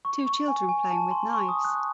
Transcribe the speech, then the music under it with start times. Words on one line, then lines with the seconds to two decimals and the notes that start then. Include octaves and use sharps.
Two children playing with knives.
0.05 C#6
0.26 C#6
0.48 G#5
0.69 G#5
0.91 A5
1.11 C6
1.33 C#6
1.49 D#6
1.65 F#6